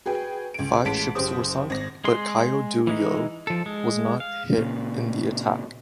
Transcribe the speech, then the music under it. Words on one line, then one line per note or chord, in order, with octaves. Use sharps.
Five ships were sunk, but "Caio Duilio" was not hit in the attack.
F#4 G#4 B4 G5
C#2 D7
A1 G#3 A5 B6 D7
F#1 G4 C5 D#6
G#1 A#6
G#3 G#4 C6
E3 G#3 D#4
F3 A4
G#3
F5
A#2 C#3